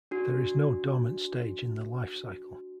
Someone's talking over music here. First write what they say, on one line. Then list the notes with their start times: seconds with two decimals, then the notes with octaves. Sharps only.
There is no dormant stage in the lifecycle.
0.11 D4 F#4